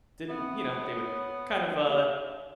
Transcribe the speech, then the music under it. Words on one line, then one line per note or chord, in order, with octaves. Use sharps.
didn't, you know, they would kind of, uh,
B3 C4 E5
C#5
D#4 G4 C#5 E5